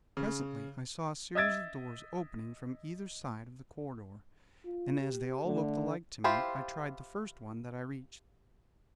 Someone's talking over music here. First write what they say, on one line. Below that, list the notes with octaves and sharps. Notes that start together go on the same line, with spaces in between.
Presently I saw a series of doors opening from either side of the corridor, and as they all looked alike to me I tried the first one that I reached.
C#3
D#5 E5 E6 G#6 A6 D7
F4
G4
D3 A3
E4 F4 G4 C5